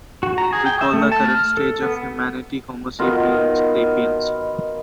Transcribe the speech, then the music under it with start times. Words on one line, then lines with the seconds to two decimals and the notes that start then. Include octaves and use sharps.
We call the current stage of humanity homo sapiens sapiens.
0.23 F#4
0.38 A#5
0.53 G#4
0.66 G5
0.81 E5
0.93 A3
1.12 A5
1.25 F6
1.57 A4
1.82 B3
2.99 B2 D#3 B3 F4